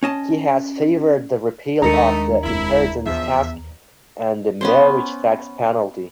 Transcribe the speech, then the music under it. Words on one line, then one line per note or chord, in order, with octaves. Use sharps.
He has favored the repeal of the inheritance tax and the "marriage tax penalty".
C#4 D#5 A5
D#2 G#3 A3 D4 D#4 A#4 A#5 C#7
F1 G#3 E4
E2 F3 E5
B3 C#4 C5